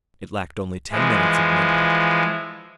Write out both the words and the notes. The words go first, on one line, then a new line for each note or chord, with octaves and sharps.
It lacked only ten minutes of midnight.
E3 F3 G#3